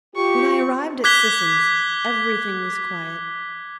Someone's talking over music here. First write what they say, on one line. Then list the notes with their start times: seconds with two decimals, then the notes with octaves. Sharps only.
When I arrived at Sisson's everything was quiet.
0.16 F4 G4 C#6
1.04 D6 F#6 G#6 B6 G7